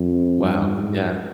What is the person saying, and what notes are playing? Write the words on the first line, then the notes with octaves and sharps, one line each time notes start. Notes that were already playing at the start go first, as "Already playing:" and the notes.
Wow, yeah.
Already playing: F2
G2
G#2